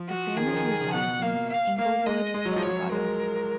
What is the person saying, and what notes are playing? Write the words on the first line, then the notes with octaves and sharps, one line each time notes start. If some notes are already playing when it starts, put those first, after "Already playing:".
The family resides in Englewood, Colorado.
Already playing: F3
F#4
D#3 G#4
F3
D#3
C#3
B2 F#5
A#3 F5
F5
A#3 F5
G#3 D#5
G#3
F#3
F3
F#3 C#5
G#3 A#4